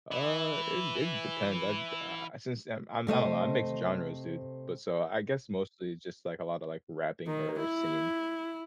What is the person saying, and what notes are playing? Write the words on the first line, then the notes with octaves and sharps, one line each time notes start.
Uh, it it depends, I'd uh, uh, since I'm I'm I don't know, I mix genres, dude, but so, I guess mostly just like a lotta, like, rapping, or singing,
E3 E4
C3 A3 C5 D#5
D#3
E4